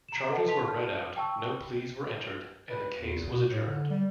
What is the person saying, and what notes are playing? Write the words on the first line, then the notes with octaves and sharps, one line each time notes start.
Charges were read out, no pleas were entered and the case was adjourned.
A#5 E7
A4 B4 D#5 F#5 A5
A5 C6 B6 F7
A5 F6
G5 A5 C#6 E6
B4
E2
B2
A2
D3
G3